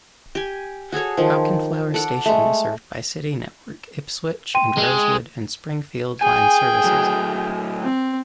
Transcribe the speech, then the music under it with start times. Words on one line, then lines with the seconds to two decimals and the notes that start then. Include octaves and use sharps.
Auchenflower station is served by City network Ipswich and Rosewood and Springfield line services.
0.35 G4 G#5
0.92 F#4 G#4 A4 C#5
1.17 D#3 F3
1.94 A4 D5 F#5
2.25 G#3 A3
4.55 G5 C6 D#7
4.77 G#3
6.21 G#4 G5 G#5
6.84 A2 F#3
7.83 C4